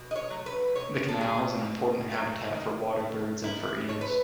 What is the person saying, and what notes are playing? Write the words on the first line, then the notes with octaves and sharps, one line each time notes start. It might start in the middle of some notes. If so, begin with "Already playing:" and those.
The canal is an important habitat for water birds and for eels.
Already playing: B2
D#5
C#5
F#3 A3
B4
B2 C#5
A4
F#3 A3 G#4
B2
F#3 A3
D#3
A3
D#3 E4
A3 C#5
B4